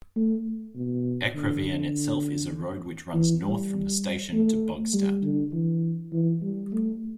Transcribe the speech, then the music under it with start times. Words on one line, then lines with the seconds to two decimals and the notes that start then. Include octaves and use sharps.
Ekraveien itself is a road which runs north from the station to Bogstad.
0.16 A3
0.75 B2
1.35 D3
3.14 E3
3.44 G3
4.33 A3
4.93 G3
5.23 D3
5.53 E3
6.13 E3
6.42 G3
6.72 A3